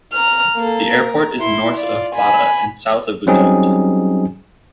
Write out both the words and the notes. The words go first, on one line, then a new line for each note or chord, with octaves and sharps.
The airport is north of Bata and south of Utonde.
A#5 F6
A#3 A4
A#4
E4 C6
F4 D5
G#5 B5
F#3 G3 C4 C#4 D#4 G#4